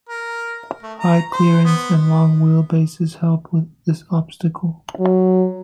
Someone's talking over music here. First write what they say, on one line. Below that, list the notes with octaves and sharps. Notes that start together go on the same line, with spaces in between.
High clearance and long wheelbases help with this obstacle.
A#4
A3
A#5
C5
B3
F#3